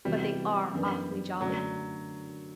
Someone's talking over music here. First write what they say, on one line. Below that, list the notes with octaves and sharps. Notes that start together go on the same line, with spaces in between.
But they are awfully jolly.
C3 E3 G3 B3 F#4
F#2 E3 B3 D4
F#2 D3 F#3 A3 D4 F#4